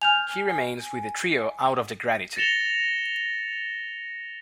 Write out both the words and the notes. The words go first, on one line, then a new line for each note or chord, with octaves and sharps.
He remains with the trio out of gratitude.
G#5 F6 G6 F7
A6 A#6 C#7 E7 F7 G7